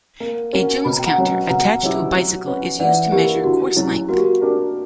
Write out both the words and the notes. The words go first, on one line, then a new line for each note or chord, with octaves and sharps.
A Jones Counter attached to a bicycle is used to measure course length.
A#3
C#4 F#4 A#4
B2 B5
A#5
G5
F#5 A#5
F#3 C#4
B2 F#5 A#5
F#3 C#4 E4 G4
F#3
C#4 F#4 B4
E3 D5 F#5
A#3 E4 G4
E4
D3 F#4
F#3 C#4 E4
A#3 F#4
G4
F#4
D4 G4 A#4